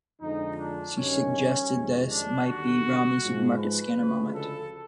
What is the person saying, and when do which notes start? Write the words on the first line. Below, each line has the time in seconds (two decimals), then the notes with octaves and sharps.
She suggested this might be Romney's supermarket scanner moment.
0.22 F2 D3 F3 G#3 D#4
0.59 D4
0.96 G2 D#3 F#3 C#4
1.71 F2 C3 D#3 G#3
2.08 D4
2.46 D#2 D3 G3 F#4
3.21 G#2 F3 G#3
3.58 B4
3.95 D2 C#3 F3 G#3
4.34 A4